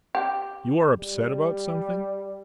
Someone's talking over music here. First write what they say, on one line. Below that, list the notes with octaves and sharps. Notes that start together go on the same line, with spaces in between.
"You are upset about something?"
G4
G3